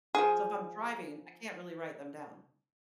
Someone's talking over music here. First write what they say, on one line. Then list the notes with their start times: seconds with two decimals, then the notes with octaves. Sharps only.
So, if I'm driving, I can't really write them down.
0.15 F3 G#4